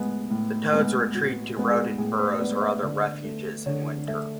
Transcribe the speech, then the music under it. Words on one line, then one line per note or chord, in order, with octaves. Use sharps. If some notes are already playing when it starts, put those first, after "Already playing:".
The toads retreat to rodent burrows or other refuges in winter.
Already playing: A2 G#3 B3
A2
G#3 B3
A2 F#4
G#3 B3
G#4
A2 G#4
B4
G#3 B3 D5
E5
D3 D5
A3
D3 C#5
A3 E5